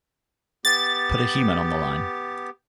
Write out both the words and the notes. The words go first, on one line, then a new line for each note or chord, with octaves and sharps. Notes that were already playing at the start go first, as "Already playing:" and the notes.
Put a human on the line.
B3 G4 A6